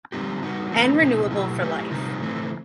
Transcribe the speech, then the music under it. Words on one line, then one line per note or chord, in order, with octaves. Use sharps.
And renewable for life.
G3 C4 D#4 G4
G3 D#4 F#4
E3 A3 C4
B2 A3 C4 D#4
B2 F#3 A3 E4 G4
F#3 A3 E4 G4
C3 D#3 G3 C4 D#4
E3 A3 C4